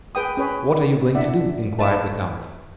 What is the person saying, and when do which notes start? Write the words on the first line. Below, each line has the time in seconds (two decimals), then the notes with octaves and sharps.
"What are you going to do?" inquired the count.
0.15 G#4 B4 G5 D#6
0.37 C#4 G#4 B4 C#5
1.15 D4 E4 D5 E5 F#5
1.79 B4 E5 A5